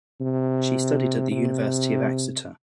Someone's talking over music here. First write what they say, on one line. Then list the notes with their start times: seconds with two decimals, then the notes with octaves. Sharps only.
She studied at the University of Exeter.
0.21 C3
1.31 C3